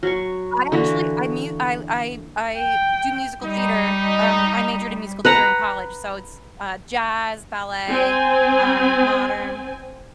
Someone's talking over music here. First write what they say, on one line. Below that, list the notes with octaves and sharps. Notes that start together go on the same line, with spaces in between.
I actually I mu I I I do musical theater, um, I majored in musical theater in college. So it's, uh, jazz, ballet, um, modern.
F#3 C#6
D3 E3 A#3 F#4
G5
G3 D#4
B4 F#5 A#5
C4 G#5